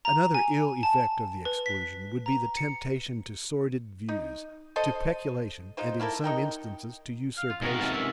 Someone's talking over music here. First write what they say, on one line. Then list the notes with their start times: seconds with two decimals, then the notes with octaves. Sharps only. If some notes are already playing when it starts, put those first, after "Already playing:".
Another ill effect of the exclusion would be the temptation to sordid views, to peculation, and, in some instances, to usurpation.
0.05 A#5
0.34 G#5
0.83 A5
1.45 B4
1.66 B6
2.26 A#5
2.57 C#7
4.09 D#4
4.76 A4 C5 D#5
5.77 G#3 D#4 F4 C5
6.00 A#3 E4 A4 A#4
6.24 D#4 A#4 G5
7.37 F5
7.50 F4
7.62 G#2 C3 F4 F#4 G#4 A#4
7.79 B2 E3 A5
7.93 C#4 A#4 E5 G#5